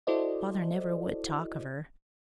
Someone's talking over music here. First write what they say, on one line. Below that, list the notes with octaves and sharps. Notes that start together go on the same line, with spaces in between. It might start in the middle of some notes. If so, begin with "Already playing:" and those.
Father never would talk of her.
E4 F#4 A4 C5 D5 D#5